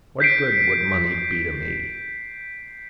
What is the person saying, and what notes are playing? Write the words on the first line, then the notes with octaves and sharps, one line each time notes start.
What good would money be to me?
G6 B6 C7 D7